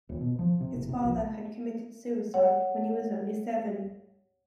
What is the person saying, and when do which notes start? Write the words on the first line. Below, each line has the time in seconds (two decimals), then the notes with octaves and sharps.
His father had committed suicide when he was only seven.
0.09 D#1
0.21 B2
0.39 F3
0.61 C3
0.74 F#1
0.89 C3
1.04 A#1
2.34 C#5 F#5